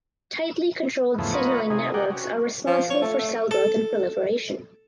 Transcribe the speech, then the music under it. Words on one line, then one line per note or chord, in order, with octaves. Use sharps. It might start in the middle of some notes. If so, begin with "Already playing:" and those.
Tightly controlled signalling networks are responsible for cell growth and proliferation.
E2 G#2 C#3 F3 A3 B3
F4 A#4 B4 C#5 D#5 F#5
C3 D#4 G#4
G#4 A#4 D5 F#5 G5
C#4 F#4
F3
C#5
A3
A3
A4